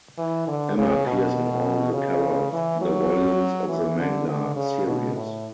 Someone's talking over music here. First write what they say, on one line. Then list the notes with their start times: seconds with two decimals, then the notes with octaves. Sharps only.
Emma appears on all the cover of the volumes of the manga series.
0.18 E3
0.48 D3
0.77 C#3
1.06 B2
1.94 C#3
2.53 E3
2.81 F#3
3.69 E3
3.98 D3
4.28 D3
4.56 C#3
4.87 B2
5.16 A2